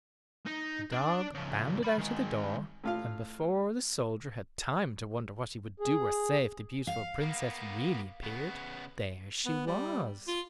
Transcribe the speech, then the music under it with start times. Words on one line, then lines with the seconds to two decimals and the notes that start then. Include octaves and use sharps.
The dog bounded out of the door, and before the soldier had time to wonder what he would do or say if the beautiful Princess really appeared, there she was.
0.46 D#4
0.92 D4 D5
1.35 C#3 F3
1.83 D5 B5
1.98 D#3 G#3
2.84 A2 F4 F5
5.80 G#4
6.87 F5
7.21 A#3 B3
8.23 C#3 B3
9.46 B3
9.66 G3
10.27 F4